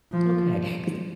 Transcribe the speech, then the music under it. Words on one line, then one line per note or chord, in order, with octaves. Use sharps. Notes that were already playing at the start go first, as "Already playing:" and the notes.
Okay, 'cause
F3